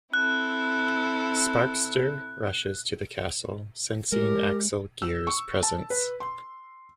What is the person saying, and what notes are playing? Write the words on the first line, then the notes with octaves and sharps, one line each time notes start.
Sparkster rushes to the castle, sensing Axel Gear's Presence.
C4 E4 A4 F#6
G#3 G4 A#4
E6
C#6
A5
B4
C6